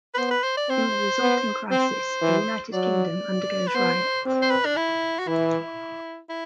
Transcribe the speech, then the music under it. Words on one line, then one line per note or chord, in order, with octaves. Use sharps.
In the resulting crisis, the United Kingdom undergoes riots.
B4
B3 C5
B4
C5
D5
C4 C5
B3
C4 C5
E3
F#3 D5
B4
B3 C5
C4
C5
B4
D4
E4
F#4
E3 E4
E4